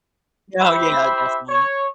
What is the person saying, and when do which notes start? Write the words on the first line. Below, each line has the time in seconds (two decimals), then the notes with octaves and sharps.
Oh, yeah. Definitely.
0.60 E4 G4 C5 E5 B5
1.49 C#5